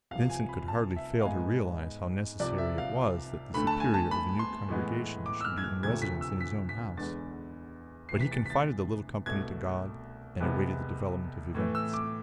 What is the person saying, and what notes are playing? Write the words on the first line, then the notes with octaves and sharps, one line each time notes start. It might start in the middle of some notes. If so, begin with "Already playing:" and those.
Vincent could hardly fail to realize how necessary it was that the superior of a new Congregation should be in residence in his own house, but he confided the little company to God and awaited the development of events.
C2 C3 F3 F5
G#5
B5
A5
E5
F5
G#2 G#3 B3 G#5
C2 C3 F3 D5
E5
F5
D2 D3 A3 B5
A5
G#5
A5
B5
C6
A2 E3 G#3 B3
D6
E6
F6
G#6
F6
D2 C3 F3 A3 G#6
B6
E6
B6
B6
E2 D3 G#3 B3 A6
D2 C3 E3 C7
B6
A6
B6
A6
C2 B2 A3 G#6
C2 C3 G#3 B3
A2 E3 A3
E6
D6